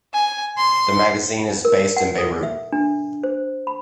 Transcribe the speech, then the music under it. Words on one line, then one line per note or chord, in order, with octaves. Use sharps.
The magazine is based in Beirut.
G#5
C6
A#4
F#5
A4
E5
D4
C5
B5